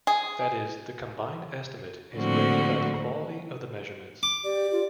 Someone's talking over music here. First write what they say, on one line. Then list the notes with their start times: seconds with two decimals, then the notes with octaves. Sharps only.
That is, the combined estimate is weighted by the quality of the measurements.
0.07 G#4
2.15 A2 D3 F3 A#3 C4 F#4
4.23 D6
4.44 G4 D5
4.72 F4